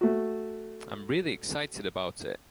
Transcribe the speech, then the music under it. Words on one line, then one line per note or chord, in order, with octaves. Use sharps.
I'm really excited about it.
A3 F#4